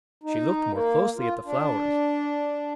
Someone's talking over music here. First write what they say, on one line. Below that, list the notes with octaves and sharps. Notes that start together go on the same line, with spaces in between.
She looked more closely at the flowers.
D#4
A#3
F4
D4